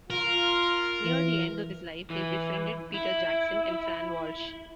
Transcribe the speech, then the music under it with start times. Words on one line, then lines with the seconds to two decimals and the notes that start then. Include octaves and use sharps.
Near the end of his life he befriended Peter Jackson and Fran Walsh.
0.10 F4 A#4
1.04 E3
2.10 E3
2.94 E4